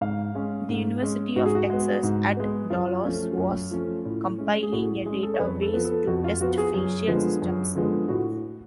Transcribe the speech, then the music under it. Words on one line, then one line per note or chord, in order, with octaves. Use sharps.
The University of Texas at Dallas was compiling a database to test facial systems.
G#2 F5
G#3 C#4
G#2
G#3 C#4
G#2 F#4
G#4
F#4
G#3 B3
G#2
G#3 B3
F#2 F4
F3 A3 C#4
F#2
F3 A3 C#4
A2
G#3 C#4
G#4
A2 F#4
G#3 C#4 G#4
A4
C#5
F2 B4
A4
F3 B3
A4
F2 F#4
F4
F3 B3 F#4
G#4
F#2
D3 F3 G#3 B3
F#2
D3 F3 G#3 B3
A2 F#4